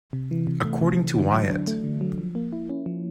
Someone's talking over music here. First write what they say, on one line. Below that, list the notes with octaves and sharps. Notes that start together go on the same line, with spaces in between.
According to Wyatt.
C3
E3
C3
A3
C3
E3
D3
F#3
D4
A3
D3
F#3
F3
A#3
E4
C#4
F3